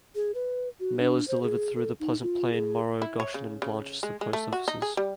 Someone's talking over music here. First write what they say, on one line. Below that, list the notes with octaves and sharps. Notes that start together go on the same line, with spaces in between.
Mail is delivered through the Pleasant Plain, Morrow, Goshen, and Blanchester post offices.
G#4
B4
F#4
D4
C5
G#4
A4
D#4
F4
G#4
E4
C#5
C#3
C#3
G#3
G#3
A3
F#4
D#4
G#4
G3